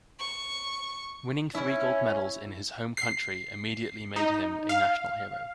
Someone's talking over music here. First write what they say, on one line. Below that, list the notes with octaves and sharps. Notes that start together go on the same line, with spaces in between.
Winning three gold medals in his home country immediately made him a national hero.
C#6
C#4 E4
C7
D#4
F5